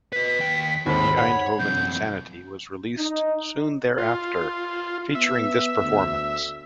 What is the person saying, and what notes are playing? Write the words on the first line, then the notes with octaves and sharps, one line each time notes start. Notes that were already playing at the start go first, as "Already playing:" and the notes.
"The Eindhoven Insanity" was released soon thereafter, featuring this performance.
B4 D#5 B6
D#2 G5
D#2 G#2 C4 F#4 A4 B5
C#5 F#5
F#2 C3 G6
D#4
F4
B3 E5
D2